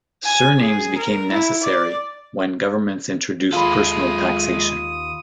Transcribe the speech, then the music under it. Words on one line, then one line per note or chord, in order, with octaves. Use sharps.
Surnames became necessary when governments introduced personal taxation.
G#5
G#4
A#4
E4
D5
D#2 G#3 F4 A4 B5 D#6